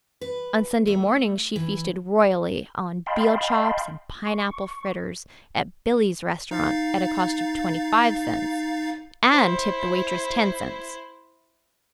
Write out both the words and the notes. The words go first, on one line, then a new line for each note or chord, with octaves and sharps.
On Sunday mornings she feasted royally on veal chops and pineapple fritters at "Billy's" restaurant, at a cost of twenty-five cents--and tipped the waitress ten cents.
B4
A3
E3
D#5 F5 G5 A5 B5 C6
C#6
D#4 F5 A6
E4 C5